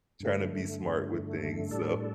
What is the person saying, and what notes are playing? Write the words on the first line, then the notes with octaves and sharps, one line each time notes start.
tryna be smart with things. So
G2 D3 A3
A2 G3 D4 A4